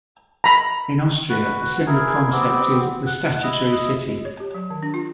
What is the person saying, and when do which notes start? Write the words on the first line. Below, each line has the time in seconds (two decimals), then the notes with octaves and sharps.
In Austria, a similar concept is the "statutory city".
0.44 A#5 B5
1.29 F#4 B4
1.87 E4 G#4 A#4 G#5
2.32 B3 C4 G4
3.06 F#5
3.43 E4 D#5
4.08 D#5
4.25 C#5
4.40 G4
4.55 F#3
4.70 D#3
4.83 D4
4.94 F4